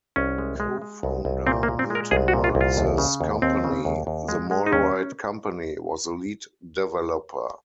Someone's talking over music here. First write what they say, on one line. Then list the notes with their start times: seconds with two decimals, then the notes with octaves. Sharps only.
Co-founder Milton Maltz's company, The Malrite Company, was the lead developer.
0.16 C2 C#4
0.38 G#3
0.60 G#3
0.82 G#3
1.03 C2
1.25 C2
1.47 A#2 C4
1.63 A#3
1.68 A#2
1.79 C4
1.90 G#3 A#4
2.11 C2 G#4
2.28 F#4
2.33 A#2
2.44 F4
2.55 C2
2.61 F4
2.77 D#2
2.98 C#3
3.21 D#2
3.42 D#2 C4
3.64 C#3
3.85 D#2
4.07 D#2
4.28 G#3
4.51 G#3
4.66 D#4
4.72 D#2 C#4